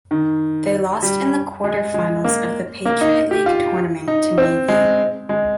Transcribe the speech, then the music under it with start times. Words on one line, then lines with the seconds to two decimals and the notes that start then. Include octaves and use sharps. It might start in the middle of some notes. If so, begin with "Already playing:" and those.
They lost in the quarterfinals of the Patriot League Tournament to Navy.
0.11 D#3
1.03 G3
1.64 G#3
1.94 G#3
2.24 A#3
2.85 A#3
3.01 D#4
3.31 G4
3.46 F4
4.08 D#4
4.38 C4
4.68 G#3
5.29 G#3